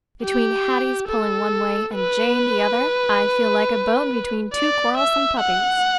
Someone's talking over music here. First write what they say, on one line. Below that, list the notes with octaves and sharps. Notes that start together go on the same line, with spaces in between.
Between Hattie's pulling one way and Jane the other, I feel like a bone between two quarrelsome puppies.
G4
A4
B4
D5
E5
F#5